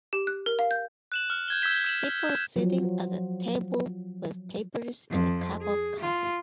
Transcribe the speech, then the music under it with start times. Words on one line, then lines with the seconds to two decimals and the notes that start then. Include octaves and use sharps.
People are sitting at a table with papers and a cup of coffee.
0.13 G4
0.27 F#6
0.46 A#4
0.59 F5
0.71 G6
1.12 F#6 E7 F#7
1.30 F6
1.48 G6 G#6 G7
1.62 E6 G6 G#6 B6 E7 G7
1.84 E6 E7 F#7
2.18 G7
2.56 F3 F#3
5.10 F2
5.62 G#4
6.00 F4